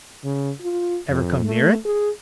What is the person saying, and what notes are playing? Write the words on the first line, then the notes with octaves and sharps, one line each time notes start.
"Ever come near it?"
C#3
F4
F2
A3
G#4